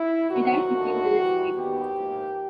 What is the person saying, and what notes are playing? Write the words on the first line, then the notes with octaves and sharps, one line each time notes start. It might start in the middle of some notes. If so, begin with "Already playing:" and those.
He died fifteen minutes later.
Already playing: E4
D2 C3 D#3 F#3 F#4
D#2 D3 F3 A3
C3 E3 G3
D#2 D#3 G3 B3 G4
G#2 F3 A#3